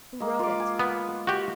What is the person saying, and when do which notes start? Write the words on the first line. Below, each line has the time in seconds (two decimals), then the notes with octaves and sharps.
"Who wrote it?"
0.20 G#3 A#3
0.39 F4 D6
0.60 G#5
0.79 B3
1.27 F#4 G4